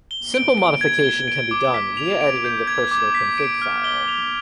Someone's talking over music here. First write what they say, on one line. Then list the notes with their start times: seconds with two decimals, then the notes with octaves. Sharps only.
Simple modification can be done via editing the personal config file.
0.11 G7
0.34 D7
0.58 D7
0.81 G#6
1.04 G7
1.28 D7
1.51 D6
1.74 B6
1.97 F7
2.21 D7
2.44 G6
2.67 G#6
2.91 D6
3.15 B6
3.38 D7
3.62 F6
3.84 G7
4.08 F7